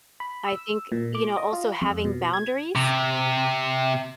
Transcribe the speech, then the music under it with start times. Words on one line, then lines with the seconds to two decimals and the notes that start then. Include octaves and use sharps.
I think, you know, also having boundaries,
0.20 B5
0.46 E6
0.92 A#2
1.15 D6
1.37 D#5
1.53 F4
1.82 F2
2.05 B2
2.33 G#6
2.75 C3